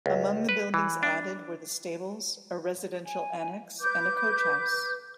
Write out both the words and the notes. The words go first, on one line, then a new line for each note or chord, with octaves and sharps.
Among the buildings added were the stables, a residential annex and a coach house.
C#2
B4
E3
D4
G#5
B4 D6 G6